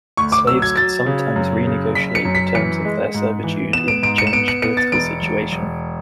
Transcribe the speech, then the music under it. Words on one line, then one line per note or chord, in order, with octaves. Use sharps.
Slaves could sometimes renegotiate the terms of their servitude in the changed political situation.
D2 C#6
D6
F#3 E6
G#6
F#3 A6
C#3
F#2
C#3
F#1 B6
C#7
F#2
B6
E3 C#7
G#3
G#2
E3
B3 E7
D7
G#2 D7
C#7
E7
B3 D7
C#7
B3 C#7
A6
E1 D7
E1
E1